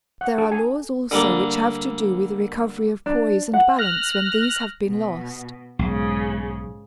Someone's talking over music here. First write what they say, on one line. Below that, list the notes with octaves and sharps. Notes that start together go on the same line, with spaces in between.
There are laws also which have to do with the recovery of poise and balance when these have been lost.
F#5
A4
G#5
D3 G3 A#3 D4
D4
F#5
F6 F#6 A#6
B2
B1 G#2 C#3